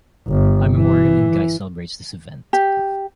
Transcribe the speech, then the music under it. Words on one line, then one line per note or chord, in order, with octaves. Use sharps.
A memorial in Guise celebrates this event.
G1
E3
G4